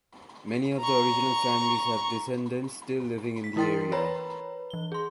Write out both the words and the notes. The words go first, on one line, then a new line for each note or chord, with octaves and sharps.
Many of the original families have descendants still living in the area.
A#5 C#6
B6
E3 E4 A#4 G5 C6 A6
B4 C#5 A#5 B5
E3 G7
G#4 C6